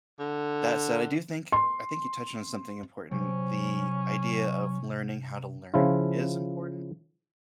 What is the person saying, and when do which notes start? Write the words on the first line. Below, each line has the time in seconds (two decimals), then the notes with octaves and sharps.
That said, I do think I think you touched on something important. The idea of learning how to learn is important,
0.19 D3
1.52 C6
3.11 C3 F#3 C#4
5.74 C#3 F3 E4 F4